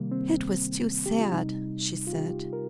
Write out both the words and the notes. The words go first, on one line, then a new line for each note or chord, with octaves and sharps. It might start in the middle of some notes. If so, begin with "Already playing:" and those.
"It was too sad," she said.
Already playing: C3 D#3 G3 A#3
C4
G4
F4
C3 G3 D#4
F4
G4
A#4